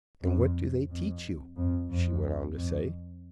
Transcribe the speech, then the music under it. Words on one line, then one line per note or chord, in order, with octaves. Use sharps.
"And what do they teach you?" she went on to say.
F2
F2
F2
F2
F2